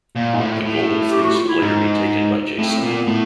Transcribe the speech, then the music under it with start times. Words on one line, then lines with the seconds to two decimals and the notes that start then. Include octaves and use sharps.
The Golden Fleece would later be taken by Jason.
0.16 A#2
0.34 G#2
0.40 A2
0.65 A2
1.11 G4
1.23 F#4
1.36 F4
1.48 E4
1.62 G#2 D#4
2.59 A2 C4
2.83 A#2 B3
3.07 A2